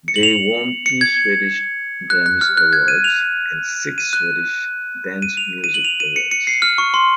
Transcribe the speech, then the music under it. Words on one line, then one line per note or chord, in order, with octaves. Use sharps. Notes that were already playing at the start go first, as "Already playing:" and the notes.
They won two swedish Grammis Awards and six Swedish Dance Music Awards.
C#7
F#7
F7
C#7
G#6
F#6
F#6
F6
F#6
G#6
D#7
F7
D#7
F#6
D#7
F7
D#7
F#7
F7
D#7
C#7
C#7
C7
F6
C#6
C6